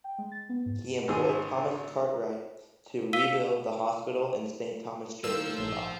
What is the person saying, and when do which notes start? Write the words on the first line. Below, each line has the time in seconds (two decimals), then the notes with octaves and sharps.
He employed Thomas Cartwright to rebuild the hospital and Saint Thomas Church nearby.
0.04 G5
0.18 G#3
0.32 A6
0.49 B3
0.66 G#2
1.08 G#1 D#4 G#4
3.13 F5 E6 B6 D#7 G7
5.24 D#3 F3 G3 A#3 D4 C5 E6
5.58 A#1 G#2